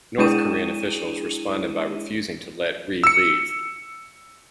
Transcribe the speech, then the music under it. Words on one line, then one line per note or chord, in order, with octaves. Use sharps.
North Korean officials responded by refusing to let Ri leave.
G#3 D4 E4 G#4 D#7 E7
E6 C#7